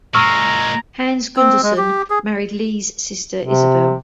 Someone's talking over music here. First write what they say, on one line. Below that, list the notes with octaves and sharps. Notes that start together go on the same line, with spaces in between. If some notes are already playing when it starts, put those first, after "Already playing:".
Hans Gunderson married Lee's sister Isabel.
A#2 G#3 A#5 C#6 E6 F6
C4
G#3
G4
G#4
C3